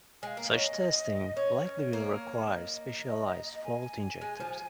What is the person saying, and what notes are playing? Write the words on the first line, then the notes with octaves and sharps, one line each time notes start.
Such testing likely will require specialized fault injectors.
G#3 F5 G#5
A#3
C#4 D#5
C#4 C#5
A#3
D#5
G#5
G#3
F3